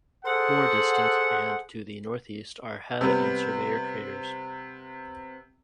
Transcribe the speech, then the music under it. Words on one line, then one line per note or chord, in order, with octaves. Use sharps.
More distant and to the northeast are Head and Surveyor craters.
G#4 A4 C5 F#5
C3 G3 B3